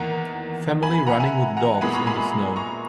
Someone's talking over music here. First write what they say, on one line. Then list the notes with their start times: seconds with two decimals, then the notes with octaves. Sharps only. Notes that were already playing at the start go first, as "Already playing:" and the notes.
Family running with dogs in the snow.
Already playing: E2 D#3 A#3 F#5 A#5
0.83 G#5 B5
1.07 F#5 A#5
1.20 E5 G#5
1.57 F#5 A#5
1.81 A#2 G#3 B3 G#5 B5
1.94 A#5 C#6
2.07 G#5 B5
2.56 A#5 C#6